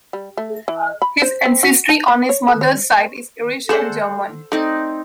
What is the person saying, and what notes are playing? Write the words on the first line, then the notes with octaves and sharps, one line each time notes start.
His ancestry on his mother's side is Irish and German.
G3
A3
E3
B5
C5
C4
F#4
A5
B3
C#5
A4
C#5
A3 G#4 A4 C5 D5 F#5
A3 C4 D#4 D5